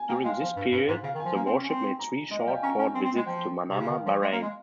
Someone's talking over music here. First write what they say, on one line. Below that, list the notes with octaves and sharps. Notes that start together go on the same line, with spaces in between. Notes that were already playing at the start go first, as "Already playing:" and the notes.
During this period, the warship made three short port visits to Manama, Bahrain.
Already playing: G#5
A#3 G5
G#3 F5
F3 F5
G2
G2
G#2
C#3 F5
D#3
G#5
F3
A#3
C4
C#4
C4
A#5
G#3 D#5
F5
G3 G5
G#5
C#4 A#5
C#4
C4
C4
G#3
F3 G5
C3
C#3
D#3 F5
F3
G#3
A#3
G#3